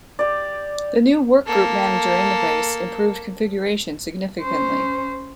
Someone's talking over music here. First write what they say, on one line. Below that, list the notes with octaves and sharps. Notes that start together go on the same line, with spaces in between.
The new Workgroup Manager interface improved configuration significantly.
G4 D5
A#3 A4
C#4 C5